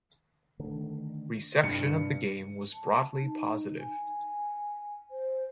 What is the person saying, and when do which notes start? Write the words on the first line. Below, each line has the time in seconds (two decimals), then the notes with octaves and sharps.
Reception of the game was broadly positive.
0.59 D3 D#3 A3
1.64 G2 C3 C#7
2.74 A5
3.21 D#4
3.80 G#5
5.11 C5